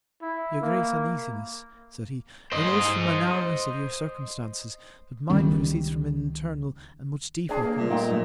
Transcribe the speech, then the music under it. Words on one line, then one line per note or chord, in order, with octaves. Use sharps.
Your greatest Uneasiness, said he, arose from the Narrowness of your Circumstances; but mine proceeds from an internal, and much deeper Cause.
E4
A#3
C5 D#5
C#2 D#3 G3 C#4
C4 D4 G#4
A#3 B4
A#2 G3 A3 B3
A3 A#3 D#4 F4 D5 D#5 G5
A2 F#3 A3 D#4